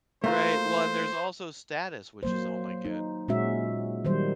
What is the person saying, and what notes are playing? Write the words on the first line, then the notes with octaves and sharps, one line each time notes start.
Right. Well and there's also status, which is only good,
A3 A#3 F4 C5
F#3 A#3 C5
D#4
A#2 G#3 C#4 F#4 E5
D#3 F#3 G3 C5